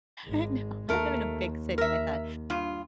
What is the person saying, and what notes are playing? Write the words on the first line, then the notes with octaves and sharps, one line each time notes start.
No, I live in a big city, and I thought,
G#1 G#3
D#2 A3 A#4
A#4 E5
G2 F4